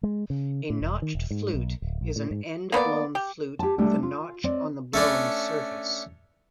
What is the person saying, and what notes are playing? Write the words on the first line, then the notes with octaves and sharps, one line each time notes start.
A notched flute is an end-blown flute with a notch on the blowing surface.
G#3
C#3
A2
E1
D#3
E1
G#2
B1
D1
A#1
A2
G#2
A#3 B3 C5 D5
G4
G4 A5
G3 A3 D4
F4
C4 D5 D#5
A3 C#4 D4